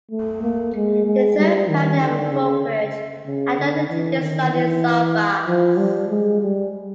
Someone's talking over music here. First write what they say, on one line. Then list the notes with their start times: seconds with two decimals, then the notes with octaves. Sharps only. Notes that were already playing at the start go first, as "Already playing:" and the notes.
The third pioneer of corporate identity design is Saul Bass.
0.11 A3
0.43 A#3
0.75 G#3
1.06 G#3
1.37 G3
1.68 D#3
2.01 D3
2.32 C#3
3.26 C#3
3.57 D3
3.90 E3
4.20 D#3
4.52 E3
5.46 F3
5.77 G3
6.09 G#3
6.41 G3